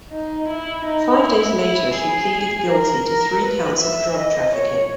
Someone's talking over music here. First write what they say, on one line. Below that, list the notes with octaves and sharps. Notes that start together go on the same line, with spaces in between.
Five days later she pleaded guilty to three counts of drug-trafficking.
D#4
E4
D#4
E4
E4
G#4
A#4
A#4
B4
E5
D#5
C#5